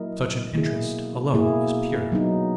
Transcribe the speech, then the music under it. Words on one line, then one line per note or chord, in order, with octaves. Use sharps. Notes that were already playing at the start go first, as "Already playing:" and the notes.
Such an interest alone is pure.
Already playing: F#3 A#3 E4 A#4 D#5
B2 A#3 E4 G#4
B2 A#3 E4 G#4
F#3 B3 D#4